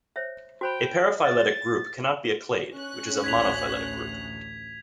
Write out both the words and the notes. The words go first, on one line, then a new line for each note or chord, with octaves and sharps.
A paraphyletic group cannot be a clade, which is a monophyletic group.
C5 C#5 E5
F#4 C5 G5 B5
A6
C#4 F#6
A1 D2 G#6 B6 F7